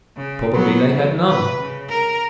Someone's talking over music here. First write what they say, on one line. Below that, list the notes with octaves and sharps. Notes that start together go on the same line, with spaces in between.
Probably they had none.
C#3
F#3 B3
E3 F#3
C3 B4
C#3
A#4